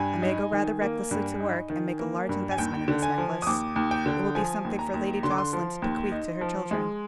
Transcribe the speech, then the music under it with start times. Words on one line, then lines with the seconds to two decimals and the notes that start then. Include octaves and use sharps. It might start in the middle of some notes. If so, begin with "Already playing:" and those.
I may go rather recklessly to work and make a large investment in this necklace; it will be something for Lady Jocelyn to bequeath to her children.
Already playing: G2 G#5
0.22 D#4
0.52 D#3
0.82 A#3
1.11 G2
1.40 D#4
1.70 D#3
1.99 A#3
2.29 G2
2.51 G#5
2.58 D#2 G5
2.88 D3
3.03 G#5
3.18 F3
3.42 D#6
3.47 D#2 D6
3.76 D#2
3.91 G5
4.06 D3
4.35 F3 G#5
4.65 D#2
4.79 A#5
4.94 D#2
5.23 D3 C6
5.31 D6
5.38 C6
5.53 F3
5.82 D#2
6.12 D#4
6.41 F3
6.71 G#3